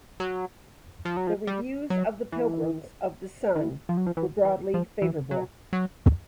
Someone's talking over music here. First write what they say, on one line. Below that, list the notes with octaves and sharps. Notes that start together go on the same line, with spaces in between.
The reviews of "The Pilgrims of the Sun" were broadly favourable.
F#3
F3
F#3
F3
G3
F#3
E3
D#3
E3
F3
F#3
F3
E3
E3
F3
E3
F#3
F#3